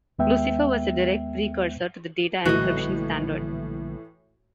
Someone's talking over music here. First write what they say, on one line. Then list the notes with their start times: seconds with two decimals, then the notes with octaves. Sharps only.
Lucifer was a direct precursor to the Data Encryption Standard.
0.19 D#2 G#3 B3 E5 G5
2.45 A#1 A2 D3 E3 G3 F#4 D#5